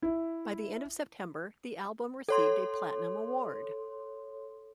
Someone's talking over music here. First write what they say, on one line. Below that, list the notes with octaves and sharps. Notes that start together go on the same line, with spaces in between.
By the end of September, the album received a Platinum award.
E4
A4 C#5 C6